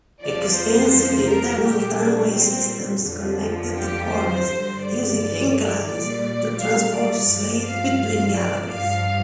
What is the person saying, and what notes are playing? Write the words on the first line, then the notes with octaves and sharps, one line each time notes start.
Extensive internal tramway systems connected the quarries using inclines to transport slate between galleries.
F2 F3 D5
C5
A#4
A#2 G3 G4
D4
C4
F2 D3 F3
G4
C5
G2 D3 G3
D5
A#2 G3 D5
F5
D5
G2 F3
F5
D5
G2 F3 F5